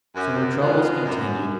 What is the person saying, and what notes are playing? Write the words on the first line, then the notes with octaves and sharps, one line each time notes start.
So her troubles continued.
F#2
C#3 F3 G#3 B3
F#2